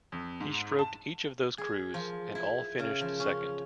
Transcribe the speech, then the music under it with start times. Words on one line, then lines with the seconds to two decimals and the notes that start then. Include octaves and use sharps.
He stroked each of those crews and all finished second.
0.12 F2
0.40 G#2
0.79 A5
1.58 G#4
1.94 F3
2.35 E4
2.79 C#3
3.01 F3
3.20 C#4